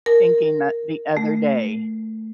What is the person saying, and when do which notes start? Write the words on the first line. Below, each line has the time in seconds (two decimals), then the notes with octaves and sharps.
thinking that the other day.
0.06 A#4
1.17 A3